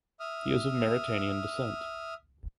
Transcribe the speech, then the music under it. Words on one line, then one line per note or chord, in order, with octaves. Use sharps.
He is of Mauritanian descent.
E5 D#6 F6